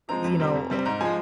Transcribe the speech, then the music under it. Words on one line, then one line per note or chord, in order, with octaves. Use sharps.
you know,
F3 G#3 C4 A#5
F2
C3 G3 C4
F2
C3 G3 C4
G#2 A#5
F3 G#3 G#5